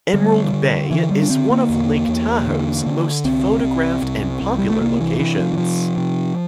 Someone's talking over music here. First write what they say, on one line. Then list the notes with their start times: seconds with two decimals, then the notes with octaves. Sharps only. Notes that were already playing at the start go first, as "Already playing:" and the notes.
Emerald Bay is one of Lake Tahoe's most photographed and popular locations.
0.13 D3 G3
0.53 D3
0.91 D3 E3
1.11 G3
1.22 D4
1.29 D3 C4
1.50 A#3
1.70 E2
2.08 E2
2.47 D3
2.86 D3
3.24 C2 C4
3.63 C2
4.02 C2
4.41 C2
4.58 G3
4.70 A3
4.81 C3 A#3
5.00 E3
5.19 C3 E3
5.39 F3
5.53 E3
5.58 C3 F3
5.97 C3